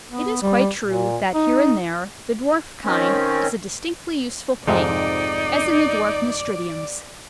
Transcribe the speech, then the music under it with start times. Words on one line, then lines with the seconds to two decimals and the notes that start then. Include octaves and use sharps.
It is quite true that here and there the dwarf kind is a distinctly useful thing, as in the dwarf Nasturtiums.
0.10 B3
0.42 G3
0.85 A#2
1.34 D#4
2.84 D#3 C4 C#4
4.68 F2 G#2 C3 D#4 D5